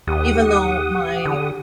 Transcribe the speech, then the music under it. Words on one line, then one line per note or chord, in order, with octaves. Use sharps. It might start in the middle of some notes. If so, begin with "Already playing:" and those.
Even though my
D#2 G4 F#5 D#6
D3